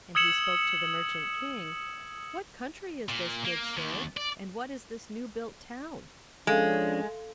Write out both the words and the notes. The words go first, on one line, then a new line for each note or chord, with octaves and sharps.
And he spoke to the merchant king: "What country is this, good sir; and what is this new-built town?"
D#6 E6 G#6 C#7 E7 F#7
A#2
A#3
D#2
D5
F3 G#3 C#4 D4 A4 F5